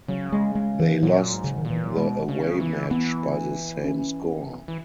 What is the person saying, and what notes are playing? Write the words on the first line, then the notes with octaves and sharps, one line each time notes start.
They lost the away match by the same score.
C#3 F#3
G#3
G#3
E3
A#2 F#3
G#2
C#3
D#3
A#2
E3
F#3
B2 G#3
C#3
E3
E3 B3
C#4
E3